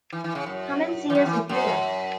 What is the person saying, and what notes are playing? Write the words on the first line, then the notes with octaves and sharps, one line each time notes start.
Come and see us if you like.
E3
E3
C#3
F#2
E3
F#2
E3
F#2